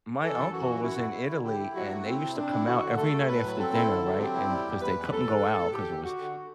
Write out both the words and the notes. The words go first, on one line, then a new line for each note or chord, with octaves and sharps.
My uncle was in Italy, and they used to come out every night after dinner, right? And 'cause they couldn't go out, 'cause it was
E3 A4
F#2
E3 F#4
F#2
E4 F#4
E4
E4
D3
E4 G4
E4
F#3 F#4
A3
C4 E4
C3
C4 D4
E4
D3 F#4
D3
A3 A4
A3
A2 B4
F#3
C4 A4
E4
D3
F#3
C4 G4
E4
G3
E2
E2 B4
E2
F#3 A4
D4
A2
A2
D3 G4
D3
D3 F#4
D3